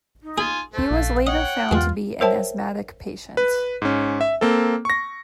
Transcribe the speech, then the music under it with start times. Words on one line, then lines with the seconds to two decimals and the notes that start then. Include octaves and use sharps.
He was later found to be an asthmatic patient.
0.23 D#4
0.38 F4 G#4 G#5
0.73 A3 C5
0.91 A#1 F5
1.27 C#5 D#5 F#5 G5
1.71 E2 G2 G#3 F4
2.21 A#4 C5 C#5 E5 G5 A5
3.37 B4
3.82 G#2 C#4
4.21 E5
4.41 A#3 C4 A4
4.85 C#6 A#6